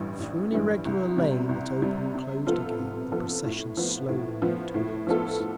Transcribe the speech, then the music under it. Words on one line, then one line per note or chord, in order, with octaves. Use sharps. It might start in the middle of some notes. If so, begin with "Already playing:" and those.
Through an irregular lane that opened and closed again the procession slowly moved toward us.
Already playing: A1 G2 E3 G3
A1
G2 E3 G3
C2
C3 G3
C2
C3 G3
C3
F3 B3 F4 A4
C3
F3 B3 F4 A4
A2
F3 B3
A2
F3 B3
A2
F3 B3 F4 A4
A2